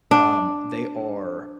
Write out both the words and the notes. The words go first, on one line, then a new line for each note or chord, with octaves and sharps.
um, they are
D4